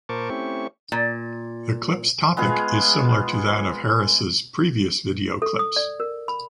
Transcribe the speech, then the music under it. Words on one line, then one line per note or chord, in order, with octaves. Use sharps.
The clip’s topic is similar to that of Harris’ previous videoclips.
A#2 A#4 C5 A5 C#6 D6
A3 C4 C#4 E4 G4 C#6
A#2
G#3 B3 F4 G#4
A4
D#6
D5
A#4
B5